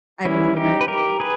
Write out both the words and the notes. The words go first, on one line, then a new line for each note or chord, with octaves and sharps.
I believe it.
E3 G3 C#4 E4
D#4 G4
B4
G4 A#4
G#4 B4